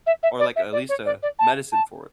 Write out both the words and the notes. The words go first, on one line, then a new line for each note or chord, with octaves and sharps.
Or, like, at least a medicine for it.
E5
E5
D5
E5
D5
C#5
D5
D5
A5
A5